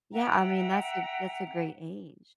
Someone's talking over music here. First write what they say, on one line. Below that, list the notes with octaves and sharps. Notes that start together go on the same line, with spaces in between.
Yeah, I mean, that's a that's a great age.
E5 F#5 G5 A#5